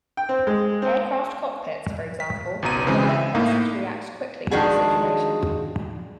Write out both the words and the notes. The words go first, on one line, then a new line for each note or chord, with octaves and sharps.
Aircraft cockpits, for example, require a person to react quickly to a situation.
G5
C4
G#3
C4
B6
G#1 C#2 B2 A#5 D#7
C#3 E3 G#3 C4
E5
A2 A#3 D#4
D#3 F3 G#3 D4 F#4 G#4